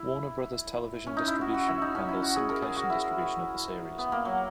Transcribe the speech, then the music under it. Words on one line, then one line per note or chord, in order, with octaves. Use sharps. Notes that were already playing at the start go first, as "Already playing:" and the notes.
Warner Brothers Television Distribution handles syndication distribution of the series.
Already playing: E4
C#4
D#4
E4
F#4
F#4
E4
D#4
C#4
E4
F#4
G#4
A#4
G#4
F#4
E4
B3
A#3
F#3